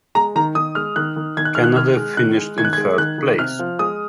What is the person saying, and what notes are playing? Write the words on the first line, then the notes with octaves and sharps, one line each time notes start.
Canada finished in third place.
G#3 A#5
D#3 A#5
D#3 D#6
G#3 F6
D#3 F#6
D#3
D#3 G#6
F#6
D#3 F6
F#6
D#3 F6
G#3
D#3 F#6
G#3
D#3 G#6
F#6
G#6
G#3
D#3 F#6
D#3
C3 F6
F3
G#3 D#6